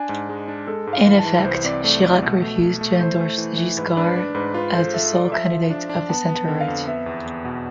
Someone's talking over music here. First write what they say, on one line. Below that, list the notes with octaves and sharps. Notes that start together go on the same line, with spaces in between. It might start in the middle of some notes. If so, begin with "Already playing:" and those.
In effect, Chirac refused to endorse Giscard as the sole candidate of the centre-right.
Already playing: D4 G#5
G#2
G#3
D4
G#3 A4
G#2
F5
E3
A5
E3
C2 C5
C4 D5
A3 D5
A3 D5
B2
A3
A3
A3
E4 C5
A3
E3
E3
G#2 B4
D4 B4
D4 B4
G#2 B4
F4 B4
A4 C5
A4 E5
F4 D5
F3 E5
F3
D4
D4
B3 A5
B3
A5
D3
F5
F2
B3 E5
E2
E2
B2